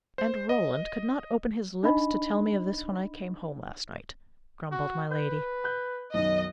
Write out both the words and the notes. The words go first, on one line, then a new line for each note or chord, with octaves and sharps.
"And Roland could not open his lips to tell me of this when I came home last night!" grumbled my lady.
C5
D#5
D4 D#4 D#5 B5
F#4
B4 G6
F#6 G6
B1 F#2 D#3 D#5